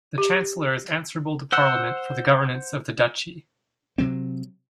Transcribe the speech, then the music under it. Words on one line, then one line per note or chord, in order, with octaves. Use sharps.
The Chancellor is answerable to Parliament for the governance of the Duchy.
G4
C5 F#5 E6 F#6
C3 F#3 C4